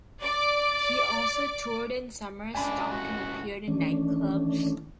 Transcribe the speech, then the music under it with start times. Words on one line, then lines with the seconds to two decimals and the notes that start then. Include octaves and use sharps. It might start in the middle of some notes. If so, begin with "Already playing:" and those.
He also toured in summer stock and appeared in nightclubs.
0.21 D5 D6
2.55 C#2 A2 D4 G#5 B5
2.90 F#4
3.68 D#3 E3 A3 C#4 D4